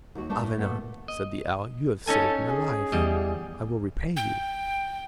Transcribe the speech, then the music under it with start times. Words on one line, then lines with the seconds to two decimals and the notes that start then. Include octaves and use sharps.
"Avenant," said the owl, "you have saved my life, I will repay you."
0.15 D#2 F#4
0.29 A3 D4 A#4 A5
0.43 A2
0.58 A#2 A3 B3
1.08 D#5
2.07 C#4 D#4 A4 G#5
2.48 G#4
2.92 E2 G3 D#5
4.17 G5